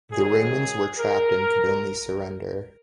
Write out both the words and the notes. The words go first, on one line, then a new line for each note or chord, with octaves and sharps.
The Romans were trapped and could only surrender.
G#2 D#3 F#3 G#4
A#4